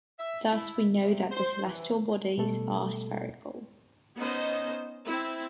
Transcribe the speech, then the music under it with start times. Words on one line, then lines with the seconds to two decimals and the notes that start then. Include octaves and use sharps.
Thus we know that the celestial bodies are spherical.
0.18 E5
0.52 E4
0.99 C3
1.31 C5
1.64 E3
2.38 B2 G3 A3 A4
4.17 B3 C#4 D#4 C5 D#5
5.05 C4 E4